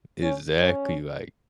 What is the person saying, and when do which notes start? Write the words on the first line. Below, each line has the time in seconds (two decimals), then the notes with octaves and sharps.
Exactly, like
0.22 C#4
0.60 C#4